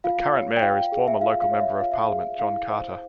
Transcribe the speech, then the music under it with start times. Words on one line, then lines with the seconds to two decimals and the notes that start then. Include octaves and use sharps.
The current mayor is former local Member of Parliament John Carter.
0.04 F4 F5
0.33 C#5
0.57 G5
0.63 F4 F5
0.92 G#4
1.08 E5
1.21 F4 F5
1.42 F5
1.51 C#5
1.61 E5
1.80 F4 F5
1.92 E5
2.00 F5
2.10 G#4
2.39 E4 F5
2.69 C5